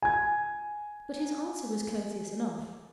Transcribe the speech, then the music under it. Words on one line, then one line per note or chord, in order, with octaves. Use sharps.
But his answer was courteous enough.
G#5 G#6